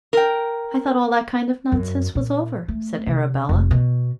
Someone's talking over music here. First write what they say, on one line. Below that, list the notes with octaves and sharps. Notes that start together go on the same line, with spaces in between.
"I thought all that kind of nonsense was over," said Arabella.
A#4 G5
F#2
A#2
A3
C3
F1
B2